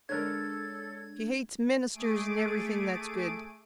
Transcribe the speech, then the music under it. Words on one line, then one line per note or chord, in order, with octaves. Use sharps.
She hates ministers and everything that's good.
D3 G#3 D4 A4 A#4 C#5 G#6
A3 G#4 D6 D7 D#7